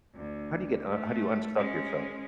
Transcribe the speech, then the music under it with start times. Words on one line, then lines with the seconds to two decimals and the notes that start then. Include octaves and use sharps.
How do you get uh, how do you unstuck yourself?
0.15 D2
0.89 A3
1.57 G#3 C#4